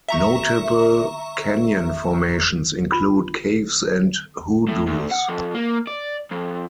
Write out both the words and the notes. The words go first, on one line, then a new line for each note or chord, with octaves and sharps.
Notable canyon formations include caves and hoodoos.
E5 A#5 C#6
F4
A2
D2
F#5
F2
A#3
D5
F2